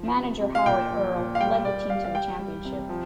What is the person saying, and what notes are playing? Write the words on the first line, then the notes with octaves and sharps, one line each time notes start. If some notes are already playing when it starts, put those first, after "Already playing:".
Manager Howard Earl led the team to the championship.
Already playing: F3
C3
C3
F5
A#2 G5
F3
A#2
F5
G3 G5
A#2 D5
G3 F5
F5
G3 G5
G3
C3
F3